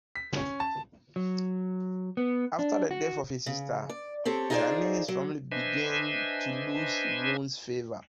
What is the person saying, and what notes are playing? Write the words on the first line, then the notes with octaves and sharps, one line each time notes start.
After the death of his sister, Yannian's family began to lose Wu's favour.
B6
C#4
A5
F#3
B3
D4
F#4
C#3
D5
C4 G4 A4 C#5
D#4 F4 G#4 A#4 C5 D5
F#3
D4 B4 C5 D#5 E5 G#5